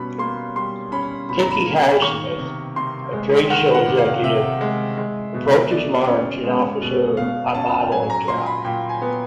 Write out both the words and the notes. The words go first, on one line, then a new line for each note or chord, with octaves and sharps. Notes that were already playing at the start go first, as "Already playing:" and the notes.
Kiki Highsmith, a trade show executive, approaches Marge and offers her a modeling job.
Already playing: B2 G3 C#4 B5
A#3 C6
G3 C6
C#4 B5
B2 B5
A#5
B5
A#3
D#3 C#6
C3
C3 C6
G#3
D#3 F#5
F#5
C3
F5
C3 E5
G#3
G#3
B2
B2 D5
C#4
G#3
B2
B2 F5
C#4 A5
G5
F#3 G#5
A#5
A#2 C6
B5
A#2 G5
G#5
B3